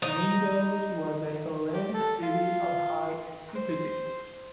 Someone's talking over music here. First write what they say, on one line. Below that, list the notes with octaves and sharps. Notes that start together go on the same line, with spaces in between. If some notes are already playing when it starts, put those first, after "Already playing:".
Knidos was a Hellenic city of high antiquity.
D#4
G4
A4
F4
C5